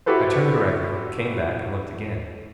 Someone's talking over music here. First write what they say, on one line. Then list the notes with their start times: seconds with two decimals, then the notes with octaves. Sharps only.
I turned directly, came back, and looked again.
0.06 E4 F#4 G4 A4 B4 C5